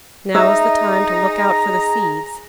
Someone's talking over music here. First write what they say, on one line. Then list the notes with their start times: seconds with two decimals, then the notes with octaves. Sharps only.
Now is the time to look out for the seeds.
0.35 D#4 G#4 E5 A#5